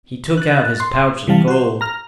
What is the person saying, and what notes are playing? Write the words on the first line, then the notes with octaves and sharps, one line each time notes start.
He took out his pouch of gold.
F#6 A6
C6
C3 E3 G3 F5 A5
F#4 C5
A#5 F6